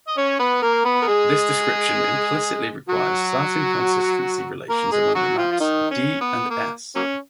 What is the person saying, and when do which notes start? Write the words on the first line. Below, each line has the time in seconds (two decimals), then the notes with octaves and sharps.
This description implicitly requires certain consistency relations among the maps "d" and "s".
0.08 D#5
0.17 C#4 C#5
0.39 B3 B4
0.62 A#3 A#4
0.85 B3 B4
1.02 A#4
1.07 G#3 G#4
2.89 F#3 F#4
4.69 A#3 A#4
4.92 G#3 G#4
5.15 F#3 F#4
5.38 F3 F4
5.52 F4
5.60 D#3 D#4
5.91 C#4
6.21 B3
6.50 A#3
6.96 F#3 A#3 C#4